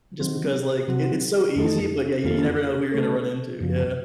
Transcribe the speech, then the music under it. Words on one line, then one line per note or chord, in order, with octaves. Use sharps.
Just because, like, it it's so easy, but yeah, you you never know who you're gonna run into, yeah.
D#3 F#3 C4
C3 F#3 C4 F#4
F2 D#3 A3 D#4 A4
F2 D#3 A#3 F4 A4
C#3 A3 C#4 A4
F#2 C#3 F3